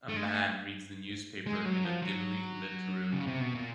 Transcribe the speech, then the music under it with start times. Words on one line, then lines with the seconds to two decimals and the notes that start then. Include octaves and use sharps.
A man reads the newspaper in a dimly lit room.
0.09 A3
0.16 G#3
0.25 A3
1.46 G#3
1.65 F#3
1.84 F3
2.02 F#3
3.13 C#3
3.27 C3
3.41 B2
3.55 A#2